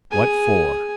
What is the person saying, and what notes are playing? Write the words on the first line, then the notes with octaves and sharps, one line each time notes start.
"What for?"
G#4 G#5